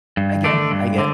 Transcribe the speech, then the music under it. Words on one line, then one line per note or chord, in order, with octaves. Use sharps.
I guess, I guess.
G2
D3 A3 D4
G2
D3